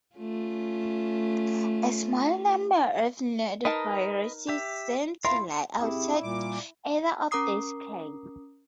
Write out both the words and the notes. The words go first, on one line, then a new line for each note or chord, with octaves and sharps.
A small number of nodoviruses seem to lie outside either of these clades.
A3 C#4 F4
D#4 A#4 B4 D#5 A5
G4 E5
E4 F4 A#4 F5 C6
C4 E4 G4 G#4
A#2 G3 D6
C#4 A#4 A#5 D6 D#6 C7